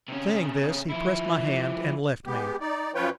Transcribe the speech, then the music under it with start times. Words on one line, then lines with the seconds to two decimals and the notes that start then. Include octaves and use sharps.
Saying this, he pressed my hand and left me.
0.08 C3 C#4
0.90 F3 E4
2.26 G#3 B3 G4
2.60 D#4 D5
2.95 F#2 F3 F4 B4 C#5 G5